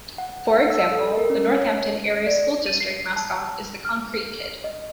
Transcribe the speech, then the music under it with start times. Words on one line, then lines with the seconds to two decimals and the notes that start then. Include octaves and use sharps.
For example, the Northampton Area School District mascot is the Konkrete Kid.
0.18 F#5
0.70 E6
0.91 A4
1.17 A#4
1.30 C#4
1.55 C#5
2.26 D5
2.66 D#7
2.80 C7
3.16 A5
3.85 F6
4.64 D#5